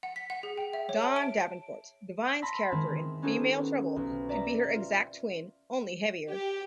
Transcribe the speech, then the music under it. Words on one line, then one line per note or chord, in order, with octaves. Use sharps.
Dawn Davenport, Divine's character in "Female Trouble", could be her exact twin, only heavier.
F#5
B6
F#5
G#4
G5
E5
C#5
A5
D7
A5 B5 C6 E6 A#6 B6
D#3 G#3 C4 E4
B3 C#4 D#4 G4 A4 C5
B1
D5 E5 A#5
F4
G4